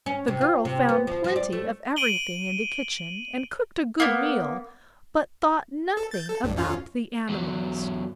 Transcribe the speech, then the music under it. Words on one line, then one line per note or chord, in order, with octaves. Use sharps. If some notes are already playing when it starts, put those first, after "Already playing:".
The girl found plenty of everything in the kitchen, and cooked a good meal, but thought nothing about the animals.
C#4
C3
F4
C3
B3
F3
F3
D5
A3
D7 D#7 F#7 G7
A#3 B3
A4
G6 A6
A4
A1 G2
F2 C#4 F4
E2 F#3